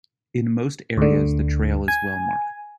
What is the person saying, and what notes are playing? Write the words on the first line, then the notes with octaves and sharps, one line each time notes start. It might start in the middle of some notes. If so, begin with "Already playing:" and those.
In most areas the trail is well marked.
D2 D3
G#5